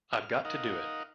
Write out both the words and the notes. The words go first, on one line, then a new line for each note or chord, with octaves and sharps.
I've got to do it.
F6
D#4 A#4 D#5 F5 F#5